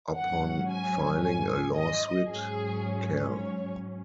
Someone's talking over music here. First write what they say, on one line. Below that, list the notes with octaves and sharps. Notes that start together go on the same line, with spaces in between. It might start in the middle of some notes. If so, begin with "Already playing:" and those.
Upon filing a lawsuit, Cal.
G#2 F#3 C#4 F#5
G#5
G#5
D#5
G#2 F#3 C#4 G#4
C#5